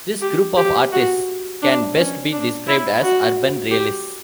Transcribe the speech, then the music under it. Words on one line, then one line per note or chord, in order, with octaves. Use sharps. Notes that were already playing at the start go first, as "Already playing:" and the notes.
This group of artists can best be described as urban realists.
G4
G4
F#4
D4
C#4
D4
E4
F#4
G4